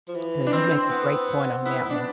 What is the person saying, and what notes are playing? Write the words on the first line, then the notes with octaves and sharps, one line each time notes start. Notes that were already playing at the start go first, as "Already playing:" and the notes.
So you make a great point on that one.
F3
E3
D4
C4
B3
B3 E4
B3
D4